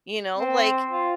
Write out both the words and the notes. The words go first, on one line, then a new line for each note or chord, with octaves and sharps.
you know, like,
C4
F4